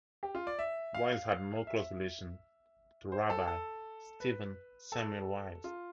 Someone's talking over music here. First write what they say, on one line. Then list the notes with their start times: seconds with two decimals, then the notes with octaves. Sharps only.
Wise had no close relation to Rabbi Stephen Samuel Wise.
0.23 G4
0.35 F4
0.47 D5
0.59 E5
0.94 F5
1.67 E5
3.12 C5
3.30 A4
3.47 A4
4.20 B4
4.92 A4
5.64 F4